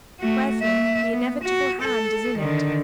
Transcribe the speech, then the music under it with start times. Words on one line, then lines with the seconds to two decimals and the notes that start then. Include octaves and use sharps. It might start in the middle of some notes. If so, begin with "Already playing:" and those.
Brethren, the inevitable hand is in it.
0.20 A3 F#4
0.61 A#3 E5
1.13 B3
1.44 F#4
1.82 A4
2.38 D3 D#3